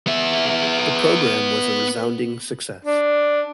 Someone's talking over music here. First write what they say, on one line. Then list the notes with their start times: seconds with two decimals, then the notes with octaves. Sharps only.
The program was a resounding success.
0.07 B3 E5
2.85 D4